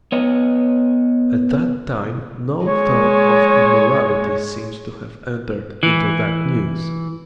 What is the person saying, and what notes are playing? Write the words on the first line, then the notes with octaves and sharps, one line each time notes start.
At that time no thought of immorality seems to have entered into that news.
B3 C#5 D#5
G#3 C#5
E3